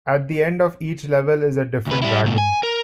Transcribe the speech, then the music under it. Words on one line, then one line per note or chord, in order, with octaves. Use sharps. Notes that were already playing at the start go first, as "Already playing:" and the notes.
At the end of each level is a different dragon.
D2 B4
G3 E4
C#2 A#2
G#5
A#4